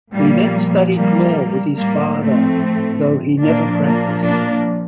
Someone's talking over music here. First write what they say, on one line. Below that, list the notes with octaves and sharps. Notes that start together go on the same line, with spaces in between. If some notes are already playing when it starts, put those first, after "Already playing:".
He then studied law with his father though he never practiced.
A#2 F3 G3 A#3
G3 A#3
A2 F3 G3 A#3
A3 C4
A#2 F3 A#3 D4
A#3 D4
A#3 D4